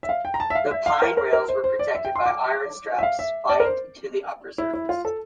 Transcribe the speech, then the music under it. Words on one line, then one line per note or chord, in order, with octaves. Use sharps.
The pine rails were protected by iron straps spiked to the upper surface.
E5
F5
G5
A#5
A5
E5
F5
E5
F5
A#4
A#4
A#4
C5
C5
D5
E5
G5
C6
D6
E5
F5
E5
D5
A#4
C5
E4
E4
F4
A4